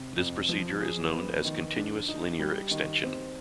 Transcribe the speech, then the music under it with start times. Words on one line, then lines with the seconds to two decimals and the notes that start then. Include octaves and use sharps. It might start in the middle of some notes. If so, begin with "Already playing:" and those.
This procedure is known as continuous linear extension.
Already playing: C3
0.17 F2
0.49 F3
0.81 G#4
1.13 B3
1.45 D#3
1.76 D4
2.08 D#4
2.39 G3
2.71 D#3
3.03 C4